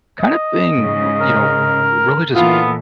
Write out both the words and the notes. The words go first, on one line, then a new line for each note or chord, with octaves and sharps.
kinda being r you know, really, just,
D#5
G#2 C#3
A#4
A#2 D3 E3 B3 E4 F4 A4